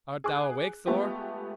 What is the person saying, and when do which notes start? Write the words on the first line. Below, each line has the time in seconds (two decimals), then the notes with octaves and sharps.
Art thou awake, Thor?
0.24 G#4 D6 F#6
0.86 G#3 A3 B3 F4 G4